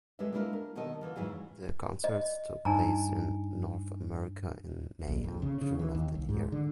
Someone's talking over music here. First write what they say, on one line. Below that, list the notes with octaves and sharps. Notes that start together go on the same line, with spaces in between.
The concerts took place in North America in May and June of that year.
G#3 G4 A4 B4 E5
G#3 A3 D4 E4 F4 A#4
A#4
B2 D#3 A3 A4 D#5
D3 E3 F3
F2 G#2 E3 F#3 E4 G#4
D#5
G2 D#4 G#5 A#5
A#1
F2
C#3
C#3
E3
D#2
C2
G#2
D3